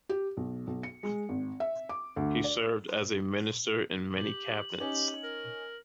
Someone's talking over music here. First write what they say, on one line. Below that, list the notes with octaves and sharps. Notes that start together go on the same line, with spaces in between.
He served as a minister in many cabinets.
G4
B1
B1
C#7
G#3
G#1
E5
D6
D2
D5
G4 F#7
C#4 D#4 G4
A#4